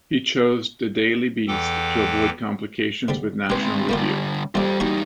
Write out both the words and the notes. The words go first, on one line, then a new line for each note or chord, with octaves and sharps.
He chose "The Daily Beast" to avoid complications with "National Review".
E2 E3 A4 G5 D6
G#2 D3 G3
G#3 C4 G4 B4
D3 G3 A3 A#3 F4
G3 F4 A4 C5 D5
E2 D#4 F#4 D#5 A#5